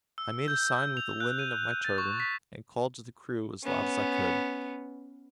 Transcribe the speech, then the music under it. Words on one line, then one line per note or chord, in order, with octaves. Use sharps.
I made a sign with the linen of my turban, and called to the crew as loud as I could.
E6
G6
F7
F#6
D#7
A6
C#6
B6
B3 C#4